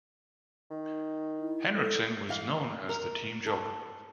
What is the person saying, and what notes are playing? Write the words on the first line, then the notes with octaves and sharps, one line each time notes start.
Henriksen was known as the team joker.
D#3
E4
A4
E3 F5
A#4
A4